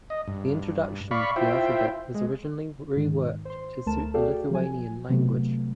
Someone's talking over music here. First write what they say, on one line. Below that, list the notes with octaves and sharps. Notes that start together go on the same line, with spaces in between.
The introduction to the alphabet was originally reworked to suit the Lithuanian language.
D#5
G2
D5 F5 B5 C#6
E4 F4 C5 E5 G5
G#3
G#2 D#3
C5 C6
D2 A3 A#4 A5 E7
F#4 G#4 A4 D5 F5 G5
F3 F#3 G#5
C3 F#3 A3 B3